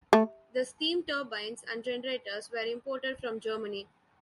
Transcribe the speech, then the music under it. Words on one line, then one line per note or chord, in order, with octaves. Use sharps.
The steam turbines and generators were imported from Germany.
A3